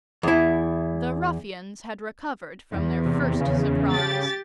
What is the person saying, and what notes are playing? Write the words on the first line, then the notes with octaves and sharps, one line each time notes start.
The ruffians had recovered from their first surprise.
E2 E4
E2
C3
C#3
G4 A6